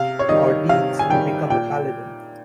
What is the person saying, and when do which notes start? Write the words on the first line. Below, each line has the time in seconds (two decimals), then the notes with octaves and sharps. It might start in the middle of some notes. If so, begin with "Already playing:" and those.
Ordeals and become a Paladin.
Already playing: C3 F5
0.19 C#5
0.29 D#3 G3 D#5
0.69 C3 F5
0.99 G#5
1.09 D#3 G3 G5
1.50 A#2 G5